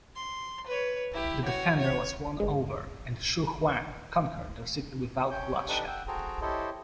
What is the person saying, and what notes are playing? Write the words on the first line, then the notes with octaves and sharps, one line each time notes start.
The defender was won over and Xu Huang conquered the city without bloodshed.
C6
B4 C#5
E4 G4
F#4 C#5
C#5
G1 G#3
C#4 C#5 G5 G6
D4 D#4 G4 A4 B4
F#5 G5 E6
F#4 G#4 A4 C5 G5 A#5
E4 G4 A4 C5 C#5 D#5